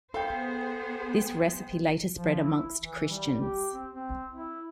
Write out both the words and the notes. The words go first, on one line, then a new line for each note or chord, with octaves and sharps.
This recipe later spread amongst Christians.
B3 G#4 A4 C5 F5 G5 C6
F3
E4
E3
G3
G4
C4
C4
E4